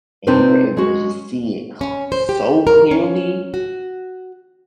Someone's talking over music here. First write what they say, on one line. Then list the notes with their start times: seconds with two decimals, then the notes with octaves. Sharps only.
and you were able to just see it cl so clearly.
0.27 C3 C4 D4 D#4 B4 C5
0.77 G#3 C#4 F#4
1.81 C#4
2.12 C5
2.29 G4
2.67 A#4
2.91 C#4
3.54 F#4